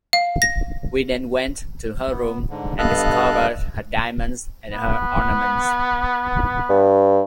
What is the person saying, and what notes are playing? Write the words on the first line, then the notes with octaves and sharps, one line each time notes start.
We then went to her room and discovered her diamonds and her ornaments.
F5
A#6
B3
G#2 D3
G2 B3 A4 D#5 F5 F#6
B3
G2